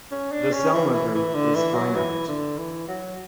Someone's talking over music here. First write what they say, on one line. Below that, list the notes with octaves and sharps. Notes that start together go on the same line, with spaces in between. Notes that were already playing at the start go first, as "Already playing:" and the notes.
The Selmer group is finite.
C#4
D4
C#4
E3
E3
E3
D3
E3
F#3
E3
D3
E3
F#3